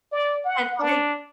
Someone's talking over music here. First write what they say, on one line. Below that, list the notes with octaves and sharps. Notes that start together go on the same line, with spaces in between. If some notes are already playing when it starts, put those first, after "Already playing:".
and I
D5
F#5
D4